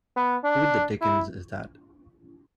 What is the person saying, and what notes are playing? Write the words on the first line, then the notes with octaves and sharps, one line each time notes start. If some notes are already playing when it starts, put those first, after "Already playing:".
Who the dickens is that?
B3
D4
E4